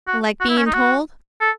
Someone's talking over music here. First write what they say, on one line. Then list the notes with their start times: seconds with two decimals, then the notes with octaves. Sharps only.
"Like being told?"
0.07 F#4
0.40 F#4
0.49 E4
0.57 C#4
0.66 D#4
0.74 F#4
1.41 A4